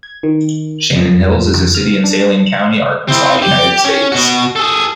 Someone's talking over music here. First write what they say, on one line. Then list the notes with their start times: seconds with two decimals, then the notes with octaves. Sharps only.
Shannon Hills is a city in Saline County, Arkansas, United States.
0.03 G#6
0.23 D#3
0.96 F2
1.35 F2
1.75 F6
2.04 D4
3.08 C4 E4
3.42 G4
3.85 C#4
4.12 B2 F#4
4.56 G#4 A4